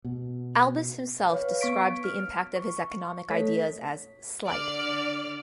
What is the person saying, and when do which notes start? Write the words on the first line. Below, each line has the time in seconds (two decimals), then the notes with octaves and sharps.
Albus himself described the impact of his economic ideas as "slight".
0.05 B2
1.30 B4 C#5 F5
1.61 B3 C#6 B6 D7
2.04 F6
2.56 C#6
3.29 A3 A4 C#5 B6
4.47 D3 D5 F6